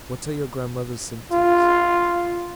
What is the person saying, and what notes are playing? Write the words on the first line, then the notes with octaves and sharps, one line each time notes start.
"What are your grandmother's symptoms?"
F4